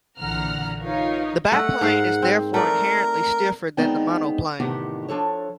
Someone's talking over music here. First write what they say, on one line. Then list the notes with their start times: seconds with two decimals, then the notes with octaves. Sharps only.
The biplane is therefore inherently stiffer than the monoplane.
0.19 A#1 D3 E3 F#5 A#5 F6
0.82 D#4 F4 A#4 B4 C#5 F5
1.52 A3 A4 D#5 F#5
1.81 G#2 A#4 F5
2.22 C4
2.54 A3 A#4 D5
3.77 G#3 B3 C4 D#4 D5 G5
4.60 E2 A2 C3 D#3 G4 F#5
5.08 F3 D4 A4 C#5